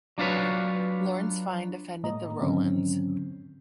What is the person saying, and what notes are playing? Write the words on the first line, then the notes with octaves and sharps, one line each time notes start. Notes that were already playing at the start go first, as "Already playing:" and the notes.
Lawrence Vine defended the Rowlands.
F#3 D4 F4 F#4 B4 C#5
A2 G#3 A#3 D#5 A#5
G#2 D3 D#3 F#3 C4 C#4